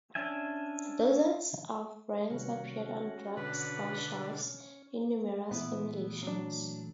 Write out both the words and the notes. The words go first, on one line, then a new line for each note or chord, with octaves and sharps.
Dozens of brands appeared on drugstore shelves, in numerous formulations.
C#4 D4 E5 G#5
C3 D#3 G3 C#4 F#4
B2 D3 B4 B6
C#4
A#2 E3 A3 B3 E4
F#3 D4